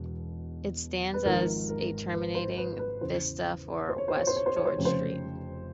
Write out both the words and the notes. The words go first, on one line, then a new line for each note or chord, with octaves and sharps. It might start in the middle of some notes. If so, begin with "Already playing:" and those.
It stands as a terminating vista for West George Street.
Already playing: E1 E2 B2
B4
G#1 G#2 F3 A#4
A#4
B4
C5
B4
B4
E2 C#3 E3 C5
C5
C#5
C5
C#5
C5
C#5
C5
C#5
C5
F1 F2 C#3 C#5
C5